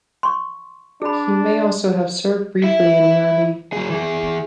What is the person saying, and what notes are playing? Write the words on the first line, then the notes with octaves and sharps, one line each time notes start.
He may also have served briefly in the army.
C6 C#6
D4 G#4 B5
E4 E5
F#3 G#4
E3 G#4